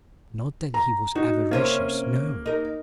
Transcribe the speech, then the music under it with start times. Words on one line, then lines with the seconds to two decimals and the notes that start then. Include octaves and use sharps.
Not that he was avaricious--no.
0.74 A#5
1.15 D#4 F#4
1.51 C3 A#3 C#4 C5
2.46 D#4 A#4